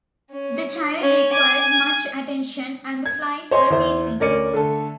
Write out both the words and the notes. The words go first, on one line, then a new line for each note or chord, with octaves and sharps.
The child required much attention, and the flies were teasing.
C#4
C#4
G#5 D6
G#5
G#6
C5 C#5 D#5 G#5 C6
E2 E4 C5
D2 C#4 A#4 D5 C#7 D#7
D3 A3 A4